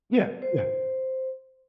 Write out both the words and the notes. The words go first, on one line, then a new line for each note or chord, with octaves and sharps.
Yeah, yeah.
C5